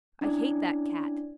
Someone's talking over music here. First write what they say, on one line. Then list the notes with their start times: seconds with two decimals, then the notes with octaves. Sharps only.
I hate that Cat!
0.21 C#4 D4 E4 D5